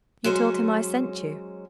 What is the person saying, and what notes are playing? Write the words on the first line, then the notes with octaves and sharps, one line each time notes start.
'You told him I sent you?'
F#3 G#3 C#4 C5